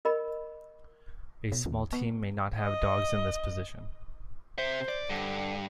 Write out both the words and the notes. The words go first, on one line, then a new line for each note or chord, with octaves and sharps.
A small team may not have dogs in this position.
A#4 D#5 B5
B2
D#2
B3
D#5
C3 C5 E5
D5
G2 D3